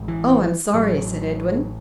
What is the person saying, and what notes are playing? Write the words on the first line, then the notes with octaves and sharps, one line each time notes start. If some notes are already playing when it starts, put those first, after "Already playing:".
"Oh! I'm sorry," said Edwin.
Already playing: A1 G#2
E3
A1 A2 F#3